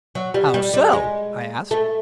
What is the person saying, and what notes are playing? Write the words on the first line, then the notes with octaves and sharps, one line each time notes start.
"How so?" I asked.
F#3
G3
G3
G3
G#3
A3